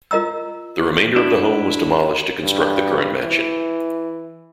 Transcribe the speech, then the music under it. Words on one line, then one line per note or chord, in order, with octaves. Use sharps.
The remainder of the home was demolished to construct the current mansion.
F4 A#4 D#5 A#5 E6
D4 E4
G2
E3